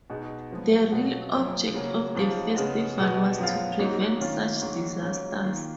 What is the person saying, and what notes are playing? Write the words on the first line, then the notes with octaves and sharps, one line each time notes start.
The real object of the festival was to prevent such disasters.
B2 G#3 D#4 F#4
F#2 F3 B3
B2 F#3 B3 F4
F#2 F3 A#3 C#4
C#3 F#3 A#3
G#2 F3 G#3 C#4 F4
C#3 G#3 B3
B2 G#3 B3
F#2 F3 B3 F4
G#2 F#3 A#3 D#4 F#4
D#3 A#3 C#4 F4
G#2 D#3 F#3 A#3
G#2 F#3 C#4 F4
D#3 A#3 F4